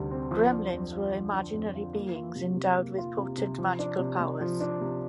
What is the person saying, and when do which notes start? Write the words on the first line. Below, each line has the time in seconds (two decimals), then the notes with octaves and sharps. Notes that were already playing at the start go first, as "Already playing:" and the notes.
Gremlins were imaginary beings endowed with potent magical powers.
Already playing: D2 C3 G3
0.11 C4
0.31 F3
0.52 D4
0.73 F2
0.92 F4
1.14 F3
1.33 D4
1.54 F2
1.75 F4
1.95 A#3
2.15 F4
2.35 C3
2.56 C3
2.77 A#3
2.98 F4
3.18 C3
3.38 C3
3.58 F3
3.79 D4
3.99 C3
4.20 C3
4.41 F3
4.61 D4
4.81 C3